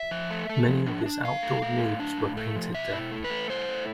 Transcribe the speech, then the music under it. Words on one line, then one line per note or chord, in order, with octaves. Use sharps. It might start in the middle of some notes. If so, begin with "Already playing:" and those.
Many of his outdoor nudes were painted there.
Already playing: E5
F3
A3
A3
F3
D4
D4
D4 F5
A3
A3
A2
D4
A2
A3
F3
B2 E5
E4
A3
B4
A3
E4 C5
A3